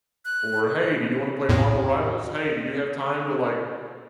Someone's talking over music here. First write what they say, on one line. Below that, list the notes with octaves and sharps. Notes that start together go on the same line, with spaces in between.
Or, "Hey, do you wanna play Marvel Rivals? Hey, do you have time to, like,
F#6
E2 A2